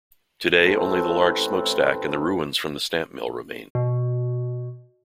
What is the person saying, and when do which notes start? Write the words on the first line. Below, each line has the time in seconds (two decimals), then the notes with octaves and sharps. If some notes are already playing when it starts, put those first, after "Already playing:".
Today, only the large smokestack and the ruins from the stamp mill remain.
0.62 A1 A2 A3 C4 A4 B4
3.75 B2